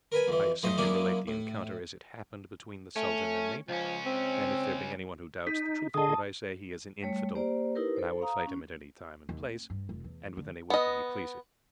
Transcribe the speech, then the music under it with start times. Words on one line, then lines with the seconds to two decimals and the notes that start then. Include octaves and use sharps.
I simply relate the encounter as it happened between the Sultan and me; and if there be any one who doubts the truth of what I say, he is an infidel, and I will fight him at any time and place, and with any weapon he pleases.
0.12 A#4 B4 G#5
0.28 F2 E3
0.63 F2 F#3 A3 C5 D#5 C6
0.78 F#3 G#3 A#3 C#4 D4 E4
1.27 A2
2.96 A3 C#4
3.68 C#2 F3 C#4
4.05 C4
5.47 D#4 B6
5.94 D3 G#4 D#5 A5 D#6
7.03 G3 A3 C#5
7.35 A#3 G4 C5 D5
7.75 D#4 E4 G4 A#4 B4
7.96 A4 C5
8.22 F5 A#5 D#6
8.47 C#4
9.29 D#2
9.41 C4
9.70 G2
9.89 F1
10.04 E2
10.37 D3
10.70 B3 D#5